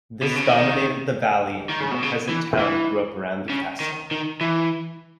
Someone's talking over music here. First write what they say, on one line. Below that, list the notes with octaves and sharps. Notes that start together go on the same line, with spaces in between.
This dominated the valley and the present town grew up around the castle.
B2
C#3
D#3
D#3
C#3
B2
C#3
E3
E3
C#3
D#3
D#3
E3